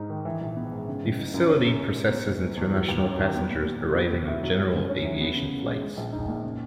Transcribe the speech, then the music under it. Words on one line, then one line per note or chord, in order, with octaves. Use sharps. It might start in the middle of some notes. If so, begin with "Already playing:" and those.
The facility processes international passengers arriving on general aviation flights.
Already playing: G#2 G#3 D#4
D#3
E3
A#1
B3
G#2
C#3
F#1
F#1
F#2
C#4
C#3
C#3
G#3
B2
E1
G#3
E2
F#3
D#2
C#4
D#3
B3
A#2
A#2
G#3
B3
B2
E4
F#3
G#3
F#2
C#4
E3
B3
C#3
C#3
G#3
G#3
A#1
D#4
A#2
C#3